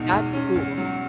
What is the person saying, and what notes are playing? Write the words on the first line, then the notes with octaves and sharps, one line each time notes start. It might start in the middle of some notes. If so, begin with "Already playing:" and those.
That's cool.
Already playing: E2 B2 G#3 D#4
E2
C#4
E2
F#3